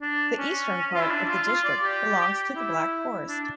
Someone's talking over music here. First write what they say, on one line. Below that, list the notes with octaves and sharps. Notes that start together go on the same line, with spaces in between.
The eastern part of the district belongs to the Black Forest.
D4
C#4
F4
E4
D4
F4
F4
D5
G4
E4
D4